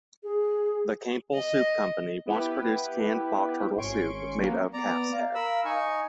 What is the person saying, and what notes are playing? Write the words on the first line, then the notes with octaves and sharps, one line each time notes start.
The Campbell Soup Company once produced canned mock turtle soup made of calf's head.
G#4
D#5
B3 E4 G4 B4
G#1 C#4 C6 C#6 D7
F#3 A#3 B3 C#4
B3 D5 A#5
F5
A#4 B5 E6
D#4 G#5 C#6